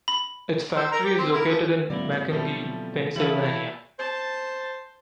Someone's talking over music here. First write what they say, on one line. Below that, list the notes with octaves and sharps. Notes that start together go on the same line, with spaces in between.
Its factory is located in Macungie, Pennsylvania.
B5
C5 E6
A#4 A#5
G4
C4
E4 A#4
F3
G#2 D3 F#3 A#3 C4 E4 D5
B2 F3 G3 A3 E4 A4
E3 A3 E4 G4 C#5 F5 F#7
C5 A5